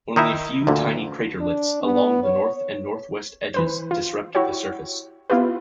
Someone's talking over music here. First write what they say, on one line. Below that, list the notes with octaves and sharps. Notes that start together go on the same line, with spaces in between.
Only a few tiny craterlets along the north and northwest edges disrupt the surface.
D#3 D#4 E4 E5
D2 A#2 D3
D4
B3
C#5
E3 B4 C5
F4
E4 F#4 G4 C#5
B3 E4 F4 G4 B4